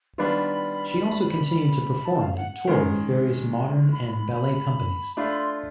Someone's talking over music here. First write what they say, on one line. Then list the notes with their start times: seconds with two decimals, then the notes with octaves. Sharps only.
She also continued to perform and tour with various modern and ballet companies.
0.18 D#3 G3 B3 D4 F4 B5
2.06 A5
2.21 F5
2.37 F#5
2.51 F#5
2.68 D#3 G#3 C#4
3.92 B5
4.12 B5
4.34 B5
5.17 A3 D4 F4 B5
5.33 C6